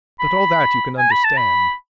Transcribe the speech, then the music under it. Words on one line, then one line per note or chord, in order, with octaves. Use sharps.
But all that you can understand.
B5
G#5
B5
A5
B5